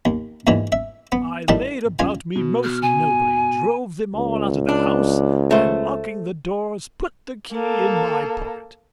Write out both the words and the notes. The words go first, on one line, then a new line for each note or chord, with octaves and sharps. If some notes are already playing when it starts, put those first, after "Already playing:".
I laid about me most nobly, drove them all out of the house, and locking the doors put the key in my pocket.
D#2
D#2 G#2 D3 E3
E5
B3
A2 D#3 G3 A5
C#2 F4 G#5
B2
F6
G#5
C#2
D4
A3 C5
A#3 A4